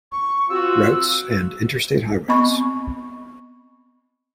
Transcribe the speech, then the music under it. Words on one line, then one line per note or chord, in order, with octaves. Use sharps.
Routes, and Interstate Highways.
C#6
C4 F4 F#4 E6
B3 C4 D#5 B5 C#6